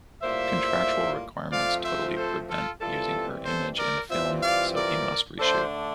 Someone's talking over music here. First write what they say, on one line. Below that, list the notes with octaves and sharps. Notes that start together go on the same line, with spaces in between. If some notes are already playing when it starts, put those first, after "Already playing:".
Contractual requirements totally prevent using her image in the film, so he must re-shoot.
A2 G3 A#3 F4 C5 E5
F3 A3 C4 F4 D5 F5
C5 E5
A4 C5
F4 A4
E3 G3 C4 F4 A4
A4 C5
A#4 D5
E3 G3 C4 F4 C5 E5
D5 F5
A#4 D5
D3 A3 D4 A4 C5